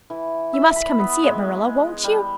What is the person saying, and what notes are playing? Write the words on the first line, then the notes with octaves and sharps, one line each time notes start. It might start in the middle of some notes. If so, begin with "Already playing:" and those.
You must come and see it, Marilla--won't you?
E3
E5
B5
B3
G#3
G3